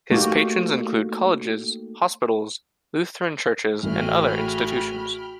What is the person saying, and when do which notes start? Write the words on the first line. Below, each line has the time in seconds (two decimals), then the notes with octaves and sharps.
His patrons included colleges, hospitals, Lutheran Churches, and other institutions.
0.11 A3 A#3 D#4 F#4 G4
3.83 A1 A3 F#4 G#4 G5 B5 F6